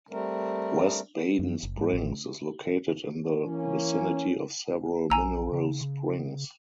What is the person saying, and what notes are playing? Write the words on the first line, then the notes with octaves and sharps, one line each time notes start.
West Baden Springs is located in the vicinity of several mineral springs.
G3 A3 C4 A#4
F#2
F#1
G#2
A1
E3 A#3 C#4
A#1 G#5 A#5 E6
C#3
C#3